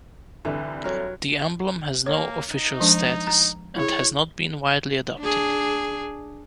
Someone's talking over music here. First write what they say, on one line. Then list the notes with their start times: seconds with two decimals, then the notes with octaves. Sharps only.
The emblem has no official status, and has not been widely adopted.
0.45 C2 D3 E3
0.84 F#3 A#4
2.06 A#3 C#5
2.49 D#4
2.80 F3 G#3 D4
3.27 A#5
3.76 E4 G#4 C#5
5.19 D4 G#4